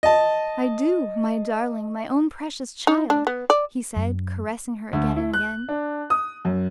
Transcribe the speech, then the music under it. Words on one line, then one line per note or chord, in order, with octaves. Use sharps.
"I do, my darling, my own precious child," he said, caressing her again and again.
D#5 A5
D#4
D4
B3
D5
F#2
D2
E4
F#6
D4
D#6
F#2